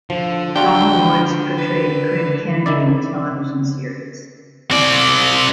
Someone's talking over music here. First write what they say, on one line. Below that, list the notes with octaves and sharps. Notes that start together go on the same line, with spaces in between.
Donald Woods portrayed Craig Kennedy in the television series.
D3 F3
D4 F4 F#4 G5
B4
D#3 E4 D5
C4 D5